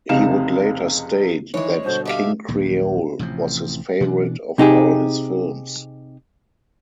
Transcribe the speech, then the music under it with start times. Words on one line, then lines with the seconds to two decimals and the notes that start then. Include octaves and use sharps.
He would later state that "King Creole" was his favorite of all his films.
0.09 F1 C#2 C3 D#4 F5 E7
1.54 D#3 E3 G#3 C#5
1.84 G2 B2 D3 C5
2.05 D#4 G4 E5 F5
2.48 A#1 D#2 A#2
3.19 A1 C3 E3 F3
4.01 B2 E3 D4
4.58 C3 D#4 G4 G#4